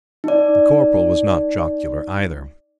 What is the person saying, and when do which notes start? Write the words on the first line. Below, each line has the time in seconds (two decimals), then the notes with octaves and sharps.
The Corporal was not jocular either.
0.24 D#4 D5